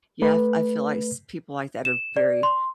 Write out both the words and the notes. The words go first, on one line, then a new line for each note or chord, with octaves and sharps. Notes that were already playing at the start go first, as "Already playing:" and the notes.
Yeah, f I feel, like, s people like that are very
A3 B4
E7
D5
C6